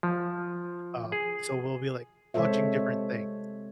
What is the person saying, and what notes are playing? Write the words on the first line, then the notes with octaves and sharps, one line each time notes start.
um, so we'll be, like, watching different things,
F3
G#4
C3 G#3 A4 C5 C#5 E5